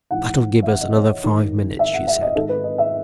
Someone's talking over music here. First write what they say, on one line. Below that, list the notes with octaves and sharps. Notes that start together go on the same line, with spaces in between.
"That'll give us another five minutes," she said.
G#2 E3 F#5
E5
F#5
D#5
C#5
G#2 D#3
E5
F#5
E5
D#5
G#2 D#3 A4
B4
D#5
E5